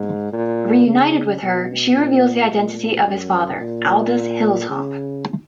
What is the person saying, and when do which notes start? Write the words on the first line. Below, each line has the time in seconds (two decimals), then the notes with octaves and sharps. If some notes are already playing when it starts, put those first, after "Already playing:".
Reunited with her, she reveals the identity of his father: Aldus Hilltop.
Already playing: G#2
0.33 A#2
0.86 C#3
1.42 B2
1.96 A#2
2.52 A#2
3.07 F#2
3.60 A#2
4.70 C#3